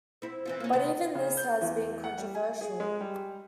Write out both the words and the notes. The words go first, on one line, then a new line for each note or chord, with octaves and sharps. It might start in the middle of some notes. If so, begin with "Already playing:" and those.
But even this has been controversial.
C4 E4
E3 C4 F4
A#3 C#4
C3 D#3 B3
C#3
G6
E2
F#5
G3
G#5
G#4
G#3
G3